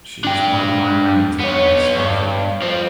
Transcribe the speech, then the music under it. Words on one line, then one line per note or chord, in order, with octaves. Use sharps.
She is one of nine women to earn this scholarship.
D4 G5
B3 C#5
G2
F3 C4